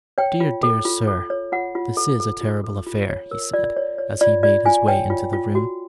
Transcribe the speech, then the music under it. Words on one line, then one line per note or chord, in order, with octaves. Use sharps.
"Dear, dear, sir--this is a terrible affair!" he said, as he made his way into the room.
C#5 G5
F4
A4
F4
A4
C#5
F4 F#5
F4
A4
A4
F4
A4
F4
C#5
A#4
F4 D5
C#5
C#5
F4 D5
F4 D5
F4 G#5
C#5 G5
F4
F4
F#4